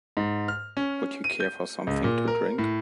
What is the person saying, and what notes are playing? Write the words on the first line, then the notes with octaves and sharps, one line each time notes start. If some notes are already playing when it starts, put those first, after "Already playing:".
Would you care for something to drink?
G#2
F6
C#4
D#7
G6
C#2
A#2
A#4
A2